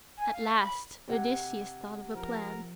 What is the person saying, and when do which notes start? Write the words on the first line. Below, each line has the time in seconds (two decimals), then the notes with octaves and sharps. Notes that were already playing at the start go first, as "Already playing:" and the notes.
At last Odysseus thought of a plan.
0.17 G#5
0.32 F5
0.58 B5
1.08 C3 G4 F#5 G#6
2.15 F3 A#4